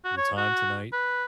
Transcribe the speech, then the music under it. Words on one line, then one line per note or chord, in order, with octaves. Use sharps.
your time tonight,
F#4
C#5
F#4
B4